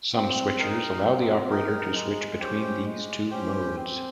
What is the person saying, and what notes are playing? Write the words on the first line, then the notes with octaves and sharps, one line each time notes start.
Some switchers allow the operator to switch between these two modes.
C4
D#4 A#4
C4
D#4 A#4
G#3
C#4 G4 C5 G5
G#3
C#4 G4 C5 G5
C4